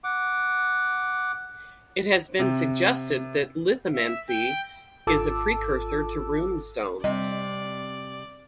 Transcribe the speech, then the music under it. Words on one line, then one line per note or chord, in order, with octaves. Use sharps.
It has been suggested that Lithomancy is a precursor to rune stones.
F#5 D6
C3
E5
G5
G#1 F4 A4 A5 D6 E6
C3 G3 C4 D5 D#5